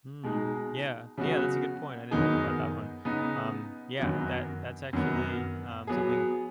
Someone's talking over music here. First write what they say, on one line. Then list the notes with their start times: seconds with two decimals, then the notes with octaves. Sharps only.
Hmm, yeah, yeah. That's a good point. I didn't think about that one. Um, yeah, that that's actually, um, something
0.24 B2 G#3 D#4
1.18 C#3 F#3 B3 F#4
2.11 F#2 D#3 B3 D#4 G#4
3.05 C#3 B3 D#4
3.99 F#2 D#3 B3 F#4
4.93 F#2 D#3 B3
5.87 F#3 B3 G#4